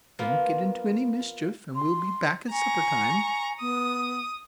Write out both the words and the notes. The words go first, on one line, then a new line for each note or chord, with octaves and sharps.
"Don't get into any mischief and we'll be back at supper time."
F3 A#3 B3 F4
C6
G#5 A#5 C#6
B3 D#6